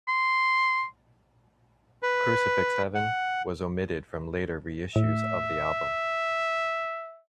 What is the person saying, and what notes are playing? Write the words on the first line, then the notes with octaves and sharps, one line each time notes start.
"Crucifix Heaven" was omitted from later reissues of the album.
C6
B4
F#5
A2 E5